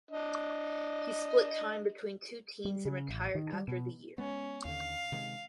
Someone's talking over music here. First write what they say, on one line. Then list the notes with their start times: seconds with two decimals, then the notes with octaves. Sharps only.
He split time between two teams and retired after the year.
0.11 D4 D#5
2.65 G3
2.85 C#3
3.09 A1
3.35 D#3
3.53 G3
3.68 B2
4.18 G#3 B3 C#4
4.65 D#2 D3 F5
5.12 C3 D#3 G#3